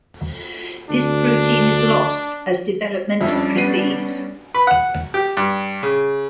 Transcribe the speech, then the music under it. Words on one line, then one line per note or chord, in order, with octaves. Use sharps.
This protein is lost as development proceeds.
D2 D4
F2 G3 C#4 D4 E5
B3 C7 D#7
B4
F#5
G4
G2
C#3